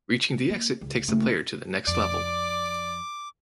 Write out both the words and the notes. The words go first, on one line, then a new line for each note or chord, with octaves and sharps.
Reaching the exit takes the player to the next level.
A#3
C#2
F#1 A3
F2 D5 D6